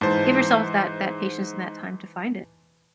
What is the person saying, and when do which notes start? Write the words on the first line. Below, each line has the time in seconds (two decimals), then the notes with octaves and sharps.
give yourself that that patience and that time to find it.
0.01 G#2 E3 C5 A5